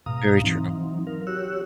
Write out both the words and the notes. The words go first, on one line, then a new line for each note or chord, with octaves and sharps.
Very true.
G#2 B2 F5 A#5 D#6
E3 F#3 C4 D#4
A#4 F5
F#4 G4 C#5 E6 F#6